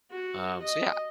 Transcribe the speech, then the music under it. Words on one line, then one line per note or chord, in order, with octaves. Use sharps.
Um, so yeah.
F#4
D#5